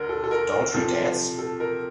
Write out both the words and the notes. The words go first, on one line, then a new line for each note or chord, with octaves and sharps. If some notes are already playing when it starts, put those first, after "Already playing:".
Don't you dance?
Already playing: D2 D3 A3 A#4
A4
A4
A#4
A#4
C3 F3 A3
A4
A#4